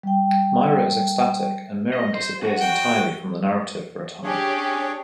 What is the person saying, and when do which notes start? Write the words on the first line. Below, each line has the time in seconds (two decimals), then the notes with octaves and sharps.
Myra is ecstatic and Myron disappears entirely from the narrative for a time.
0.03 G3 G5
1.94 D#5
2.15 C5
2.43 F#4 F#5
2.61 G5
4.24 C#4 D4 G4 G#4 C#5